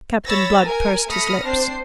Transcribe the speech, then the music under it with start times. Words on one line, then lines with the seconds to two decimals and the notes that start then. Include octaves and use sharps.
Captain Blood pursed his lips.
0.25 C#5 B5 E6 A6 A#6
0.63 A#4 G#5
1.09 A3 B5 D#6 F6 A#6 C#7
1.44 C4 D4 C5 C7